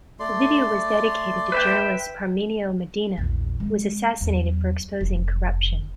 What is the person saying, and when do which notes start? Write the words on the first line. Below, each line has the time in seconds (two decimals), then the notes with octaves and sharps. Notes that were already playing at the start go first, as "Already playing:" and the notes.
The video was dedicated to journalist Parmenio Medina, who was assassinated for exposing corruption.
0.20 A3 D5 C6
1.52 B4 E5 G5
3.18 A#1 E2
3.60 G#3 C4
4.21 E2 F#3
5.01 F1